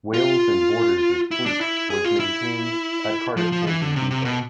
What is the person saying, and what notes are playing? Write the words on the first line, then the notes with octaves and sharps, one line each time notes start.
Wales and Borders's fleet was maintained at Cardiff Canton depot.
F4
E4
D4
E4
G#4
F4
E4
F3
F3
E3
D3
C3
C3
B2